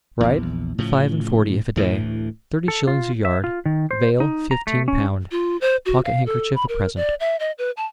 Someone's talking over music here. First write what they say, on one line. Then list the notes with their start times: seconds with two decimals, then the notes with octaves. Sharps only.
'Bride; five-and-forty if a day, thirty shillings a yard, veil fifteen pound, pocket-handkerchief a present.
0.21 A#1 E2
0.78 A2 C#3 F3
1.77 D2 A2 E3
2.68 A4
2.87 F4
3.25 E5
3.44 F4
3.66 D#3
3.91 C5
4.20 D#4
4.51 A#5
4.67 A3
4.88 C#4
5.31 F4
5.61 C5
5.86 F#4
6.05 F5
6.26 A4
6.55 B5
6.69 A#4
6.96 D5
7.20 E5
7.40 D#5
7.58 B4
7.77 A5